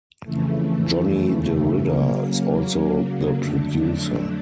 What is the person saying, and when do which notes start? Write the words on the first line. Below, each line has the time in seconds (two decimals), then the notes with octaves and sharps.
Johnny De Ridder is also the producer.
0.24 F2 C#3 E3 A3
1.79 C#3 F#3 A#3
3.36 F2 D3 F#3 A3 D4